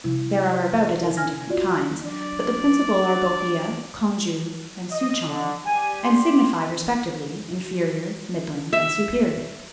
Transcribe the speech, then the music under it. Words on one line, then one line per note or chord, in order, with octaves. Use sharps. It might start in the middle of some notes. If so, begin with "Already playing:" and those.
There are about a dozen different kinds; but the principal are Bohea, Congou, and Souchong, and signify, respectively, inferior, middling, and superior.
C3 F3 G3 E4
E4 A#4
G#5 F6 G#6 A#6
F4 F#4 D5
F#3 D4 D5
D#5
D3
G3 G4 G#5
C6
E5